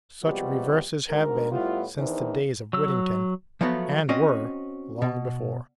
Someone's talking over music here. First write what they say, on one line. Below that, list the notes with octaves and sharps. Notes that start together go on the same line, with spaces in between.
Such reverses have been, since the days of Whittington; and were, long before.
C3 F3 G3 G#3 B3 F#4
D2 G#2 D3 A#4
A2 G3 B3 E4 F4
E2 D#3 E3 D4 D#4 C5
F#3 E6
F3 F#3 A3 B3 F#4
C4 C#4 F#4 D#5 G5
B2